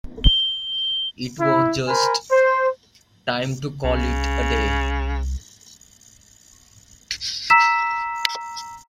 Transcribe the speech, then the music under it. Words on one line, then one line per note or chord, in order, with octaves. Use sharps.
It was just... time to call it a day.
G7
E4
A#4 C5 G#5 B5
C5
C2 C#3
A#5 E6 B6 E7